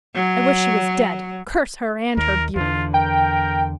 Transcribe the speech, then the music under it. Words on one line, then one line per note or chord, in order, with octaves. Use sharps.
"I wish she was dead! Curse her and her beauty!"
F#3
D#2 A#4
E2 D3 F4
A#4 G5